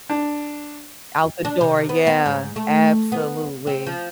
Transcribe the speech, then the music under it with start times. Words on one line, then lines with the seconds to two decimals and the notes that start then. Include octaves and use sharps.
Out the door. Yeah, absolutely.
0.10 D4
1.45 D4
1.61 C3
1.89 B3
2.07 B3
2.26 G#2
2.56 A3
3.12 B3
3.67 C4
3.86 F3